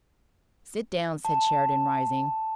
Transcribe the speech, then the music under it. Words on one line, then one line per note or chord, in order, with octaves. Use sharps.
"Sit down," said Sheridan, rising.
A5